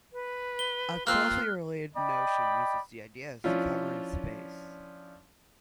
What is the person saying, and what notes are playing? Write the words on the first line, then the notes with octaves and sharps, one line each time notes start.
A closely related notion uses the idea of covering space.
B4
G7
A#3 C4 F4 F6 F#6
D5 D#5 G5 B5
F3 C#4 D4 E4 F4